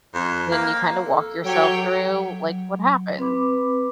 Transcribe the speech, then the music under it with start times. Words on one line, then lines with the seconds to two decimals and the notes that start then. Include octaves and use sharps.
then you kinda walk yourself through, like, "What happen?"
0.14 F2
0.52 A#3
1.06 A4
1.45 F#3 G4 C#5 G5
2.08 F#3
3.18 C4 B4 B5 D6